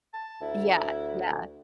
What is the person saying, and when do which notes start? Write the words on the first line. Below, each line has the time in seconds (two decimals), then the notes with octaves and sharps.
Yeah, yeah.
0.13 A5
0.41 D2 E4